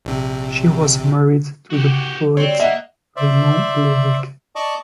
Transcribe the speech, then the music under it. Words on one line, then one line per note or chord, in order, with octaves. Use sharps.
She was married to the poet Raymond Lévesque.
A#1 C3
F#4 G4
G3 C4 F#4 C#5
A#3 D#5 E5 F#5
C5 D5 E5
D5 D#5 A5 C#6 D6